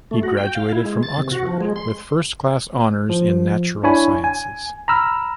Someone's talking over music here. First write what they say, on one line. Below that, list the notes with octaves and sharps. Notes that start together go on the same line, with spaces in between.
He graduated from Oxford with first class honours in natural sciences.
A3
F#4
G5
F5
E4
G#3
A6
C3
F#4
F3
G#3
C6
F3
D4 E4 C#5 G#5 B5
G#5
A#5 B5 E6 F6